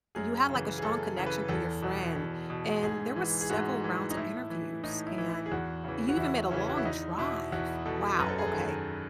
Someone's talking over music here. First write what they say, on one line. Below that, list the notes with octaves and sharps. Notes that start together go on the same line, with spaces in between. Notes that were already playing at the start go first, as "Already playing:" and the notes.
You had, like, a strong connection through your friend, and there were several rounds of interviews, and you even made a long drive! Wow, okay.
F#2 G#4
C#3
E3
G#4
F#2 A4
C#3 E3
B4
E2 A4
B2
E2
B2
G#2 G#4
E3
G#4
G#2 F#4
E3
D#4
A2 E4
E3
A2 D#4
E4
E3
E4
G#4
E2 F#4
C#3 E3
F#4
E2 E4
C#3 E3 C#4
F#4
E4
E2 D#4
B2 E4
E2 F#4
B2 A4
F#2 B4
A4
G#4
A4
D#3